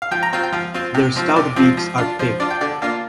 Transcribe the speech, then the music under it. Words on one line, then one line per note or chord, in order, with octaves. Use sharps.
Their stout beaks are pink.
F5
F3 G5
A#5
C4 F4 G5
G5
F3 F5
C4 F4
C3
F3 C4 F4
C3 D5
F3 C4 F4
F3
D4 F4
F3 C5
D4 F4 D5
G5
D3 D5
A#3 D4 F4 F5